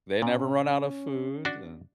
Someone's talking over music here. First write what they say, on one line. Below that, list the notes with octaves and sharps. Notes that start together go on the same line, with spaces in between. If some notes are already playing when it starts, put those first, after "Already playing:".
they never run out of food and
A#2 C#4
D4 F#4